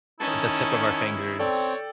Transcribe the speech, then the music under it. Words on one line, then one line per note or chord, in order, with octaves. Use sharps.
at the tip of our fingers.
D#3 C#4 E4 A5
C4 A4 C#5 D5 G5